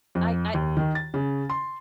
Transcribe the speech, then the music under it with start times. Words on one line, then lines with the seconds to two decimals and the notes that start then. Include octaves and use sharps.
I I
0.15 F2
0.54 D#2
0.77 D#3
0.95 A6
1.14 C#3
1.50 C6